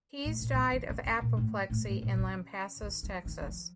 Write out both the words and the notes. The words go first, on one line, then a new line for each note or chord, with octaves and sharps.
Pease died of apoplexy in Lampasas, Texas.
A2
A#2
D#3
F3
D#3
C#3
C#3
A#2
A2
A2
A2
A#2
C#3
D#3
F3
D#3
D#3
F3